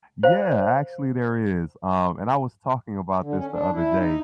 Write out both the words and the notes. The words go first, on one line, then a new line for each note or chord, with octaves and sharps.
Yeah, actually, there is, um, and I was talking about this the other day,
C5 F5
D3
C#4
D4
E4
D#4